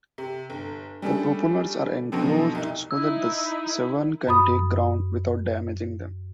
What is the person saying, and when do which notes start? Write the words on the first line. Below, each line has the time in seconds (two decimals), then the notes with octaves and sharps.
The propellers are enclosed so that the Severn can take ground without damaging them.
0.18 C3
0.50 G1
1.02 G3 A3 C#4 D4 G#4 A4
2.12 B2 D3 F3 F#3 B3 C4
2.55 C2 D#4
2.91 D#4 E4 E6
4.27 F#2 B5 D#6